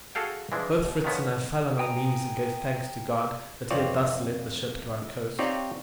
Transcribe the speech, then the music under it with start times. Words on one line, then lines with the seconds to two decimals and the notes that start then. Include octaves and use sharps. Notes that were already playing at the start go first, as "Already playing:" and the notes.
Both Fritz and I fell on our knees and gave thanks to God that He had thus led the ship to our coast.
0.15 F#4 G#4 A4 F5 G5
0.52 E3 F3 G#3 D4
0.85 D#2
1.04 D#3 F3 B3 C#4
1.79 G5 G#5 A#5 D#6
3.70 F2 E3 C4 F4 C#5 D5
5.39 C4 D#4 F4 G4 C#5 D5